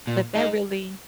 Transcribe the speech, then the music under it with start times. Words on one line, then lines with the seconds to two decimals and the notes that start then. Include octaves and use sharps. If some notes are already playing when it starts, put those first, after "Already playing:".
but that really
0.07 A#2
0.35 G#3 D#4